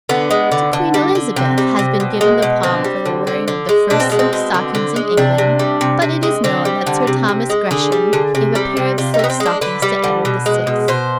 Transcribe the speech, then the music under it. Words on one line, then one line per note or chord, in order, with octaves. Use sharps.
To Queen Elizabeth has been given the palm for the wearing of the first silk stockings in England, but it is known that Sir Thomas Gresham gave a pair of silk stockings to Edward VI.
D3 B3
G#3
D3
D3
G3
D3
C3 C4
G3
C3
B2
G#3
B2
D3 C4
G3
D3
D3
D3
G#3
B2 D4
C4
G#3 B3
C4
B2
D3
D3
G#3
C3 D4
C3
G3
C3
C3
G#3
D3 C4
G3
D3
C3
C3
G#3
D3 G#4
G3
D3
C3
G3
C3
C3 F4
D#4
C3 B3
C4
G#3
D4
D3 B4
G3
D3
B2
G#3
B2
B2 C5